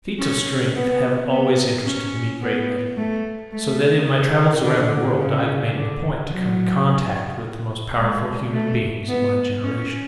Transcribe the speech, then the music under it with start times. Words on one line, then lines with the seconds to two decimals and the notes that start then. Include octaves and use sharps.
Feats of strength have always interested me greatly, so that in my travels around the world I have made it a point to come in contact with the most powerful human beings of my generation.
0.19 C#4
0.75 B3
1.31 B3
1.86 C#4
2.42 B3
2.97 A3
3.52 A3
4.08 C#3
4.64 D3
5.19 C#3
5.75 D3
6.31 F#3
7.97 G#3
8.53 A3
9.08 B3
9.64 C#4